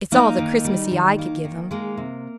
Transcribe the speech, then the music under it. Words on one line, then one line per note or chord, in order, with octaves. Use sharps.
It's all the 'Christmassy' I could give them.
A#3 D#4
D#3
G3
D#3
A#3
D#3
G#3 A#3
C3